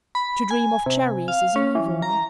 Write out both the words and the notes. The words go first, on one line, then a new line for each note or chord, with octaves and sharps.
To dream of cherries is evil.
B5
G#5
C3
F5
C#4
E3
A#5